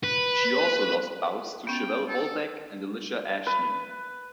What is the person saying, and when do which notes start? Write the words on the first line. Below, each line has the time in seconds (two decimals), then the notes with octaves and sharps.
She also lost bouts to Chevelle Hallback and Alicia Ashley.
0.04 B4
1.67 B3 C#4 G5
2.08 A4
3.47 B4